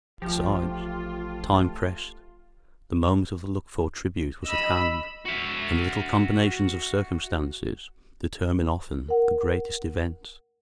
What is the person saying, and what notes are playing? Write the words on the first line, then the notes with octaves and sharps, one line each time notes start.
Besides, time pressed; the moment of the looked-for tribute was at hand, and little combinations of circumstances determine often the greatest events.
A1 F3 A3 F4 G4
D#5 B5 E6
F#4 E5
A#4 F#5